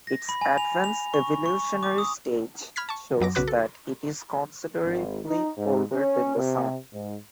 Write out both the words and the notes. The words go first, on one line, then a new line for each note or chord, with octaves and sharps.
Its advanced evolutionary stage shows that it is considerably older than the Sun.
A#6
B5
G#5
F7
F7
C#6
C#6
D6
D#6
B5 F6 G#6 B6
A5 C#6
F#2 F#3 D6 A#6
B1 C#3 F#4 B4 D6 F#6
A4
G#1
D#4
G#2
C#4
C3
G#2